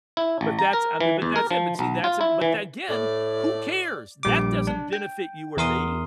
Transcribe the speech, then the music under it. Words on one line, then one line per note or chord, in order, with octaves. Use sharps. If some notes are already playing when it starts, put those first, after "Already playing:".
But that's I mean, but that's it but see, that's an but again, who cares? That doesn't benefit you or me.
E4
A1
A#5
A#4
E3
E2
A#4
F3
B1
F4
E4
E3
A2 D5
A#1 G3 D6
D4
G5
E2 A#4 C6 D#6